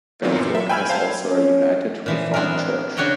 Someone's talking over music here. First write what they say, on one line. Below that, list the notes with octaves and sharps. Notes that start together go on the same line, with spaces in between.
Belford has also a United Reformed Church.
D#3 E3 F#3 B3 C4 F4
F#2 A#2
E5
G5 G#5 B5 E6 F6 G#6
C5 F5 A5 G6
C#4
A#2 E3 F3
B3 C4 D4 G#4 A#4
C#3 D4 F#4 C#5 D#5 G5